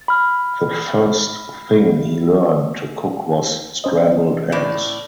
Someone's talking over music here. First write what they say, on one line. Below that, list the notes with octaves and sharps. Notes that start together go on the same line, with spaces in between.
The first thing he learned to cook was scrambled eggs.
B5 F6
C#4 C5 D#5
A2 D5